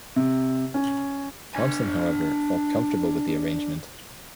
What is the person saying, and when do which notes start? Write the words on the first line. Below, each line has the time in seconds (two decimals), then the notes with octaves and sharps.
Thompson, however, felt comfortable with the arrangement.
0.16 C3
0.74 C#4
1.55 D4 G#5